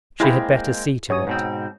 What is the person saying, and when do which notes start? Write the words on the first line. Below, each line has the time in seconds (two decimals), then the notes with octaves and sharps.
She had better see to it.
0.20 G#3 A#3 C4 E4 G#4 B5
1.10 F#2 C#5 D#6
1.27 G#2 B2 C4